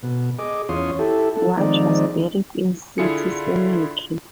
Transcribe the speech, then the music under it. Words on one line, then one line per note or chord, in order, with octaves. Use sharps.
Walsh was buried in City Cemetery.
B2
G#4 D#5 D6
E2 C#4 F4 C#5 C6 D#6
E4 G4 A4
A4
D#3 F3 G#3 C4 D#4 D5
D3 E4 F4 G#4 C#7